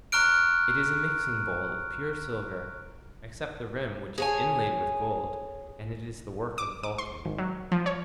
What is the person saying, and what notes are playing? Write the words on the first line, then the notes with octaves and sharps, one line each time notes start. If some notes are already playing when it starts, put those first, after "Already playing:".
It is a mixing bowl of pure silver, except the rim, which is inlaid with gold, and it is the work of Vulcan.
A#5 C#6 F6 F#6 D7
G#4 C#5 G#5
D6
D6
C6
G#1
F#3
F3
C#5